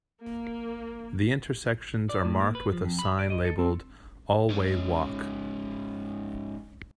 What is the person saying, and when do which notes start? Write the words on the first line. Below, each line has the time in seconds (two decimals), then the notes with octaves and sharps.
The intersections are marked with a sign labeled All Way Walk.
0.23 A#3
2.09 D5
2.25 A2
2.41 A#3
2.55 B4
2.73 F3
2.85 F2
2.99 B5
3.19 D5
3.30 D#5
3.45 A4
3.59 C4
4.50 G#2 C#4